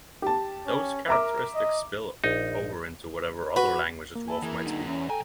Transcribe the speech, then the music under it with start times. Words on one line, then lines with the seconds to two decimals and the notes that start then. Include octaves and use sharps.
Those characteristics spill over into whatever other language a dwarf might speak.
0.22 G4 A5
0.67 C#4
1.08 A#4 E5 A#5 D6
1.55 D#5
2.24 A#1 D#4
3.56 F#4 B4
4.15 A#3
4.28 E5 G#5 A5 B5
4.43 E3 E4 G#4 A#4
4.66 D3 F#3 D#4
4.86 E2 C#4
5.09 B1 A4 G5 G#5 A#5